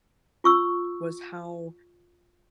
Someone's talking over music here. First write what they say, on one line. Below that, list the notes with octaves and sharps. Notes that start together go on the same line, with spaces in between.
was how,
F4 C#6 E6